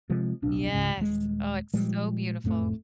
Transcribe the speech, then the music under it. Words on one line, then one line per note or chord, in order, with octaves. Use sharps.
Yes, oh, it's so beautiful.
C3 F3 G#3
D1 B1 D4
C#2 G#2 C#3
D#1 G#3
A#2 F3 G3 G#3
F#1 F2 A2 A3